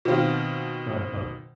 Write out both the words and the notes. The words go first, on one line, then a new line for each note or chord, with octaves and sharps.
Alright, bye-bye.
B2 D#3 C4 F4